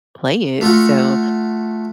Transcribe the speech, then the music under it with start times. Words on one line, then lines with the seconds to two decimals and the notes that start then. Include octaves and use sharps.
play it, so
0.61 A3 F4 F#4 F#5